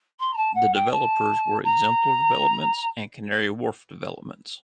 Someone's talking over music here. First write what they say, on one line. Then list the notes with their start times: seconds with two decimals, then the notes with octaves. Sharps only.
The developers were Exemplar Developments and Canary Wharf Developments.
0.19 C6
0.33 A#5
0.36 A5
0.55 F#5
0.74 G5
0.91 A5
1.64 A#5